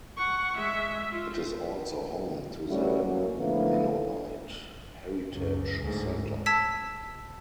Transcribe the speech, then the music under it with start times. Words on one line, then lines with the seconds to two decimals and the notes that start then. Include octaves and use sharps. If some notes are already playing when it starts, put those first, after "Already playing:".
It is also home to the Mennonite Heritage Center.
0.17 F#5 C#6
0.57 G#3 E5
1.11 F4
2.70 G3 A3 C#4 E4 F#4
3.03 F#2 A#3
3.38 A2 D3 F3 A#3 B3 E4
5.30 C#2 F#2
5.81 D2 G#2
6.46 A5 E6 G#6 B6